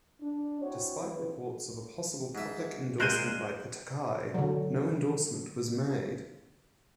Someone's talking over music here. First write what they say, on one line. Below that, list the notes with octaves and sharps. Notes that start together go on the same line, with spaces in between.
Despite reports of a possible public endorsement by Pataki, no endorsement was made.
D4
C4 E4 F#4 C#5
E3 F3 C4 E4 B4
G#2 E5
A#2 G#3 A#4 C5 F#6 G6 D#7
D3 F#3